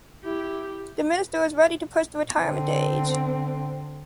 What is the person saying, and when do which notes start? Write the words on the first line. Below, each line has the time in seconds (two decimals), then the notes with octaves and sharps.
The minister is ready to push the retirement age.
0.24 E4 G4
2.38 D3 C4